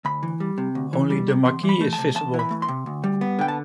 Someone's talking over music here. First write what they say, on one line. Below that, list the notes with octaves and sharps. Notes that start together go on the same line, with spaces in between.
Only the marquee is visible.
D2 B5
E3
G3
C3
D2
E3
G3
C3
E2 C6
E3
B5
A3
A5
C3
E2 A5
E3
B5
A3
C6
C3
D2
G3
B3
D3 G5
A5